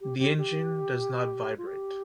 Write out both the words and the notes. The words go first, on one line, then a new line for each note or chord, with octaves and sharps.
The engine does not vibrate.
G4
G4
G4
F4
G4